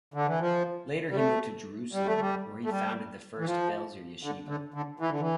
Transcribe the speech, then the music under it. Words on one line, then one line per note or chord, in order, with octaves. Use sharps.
Later he moved to Jerusalem, where he founded the first Belzer yeshiva.
D3
E3
F3
G3
A3
G3
A3
G3
A3
G3
E3
F3
D3
D3
D3
E3
D3
E3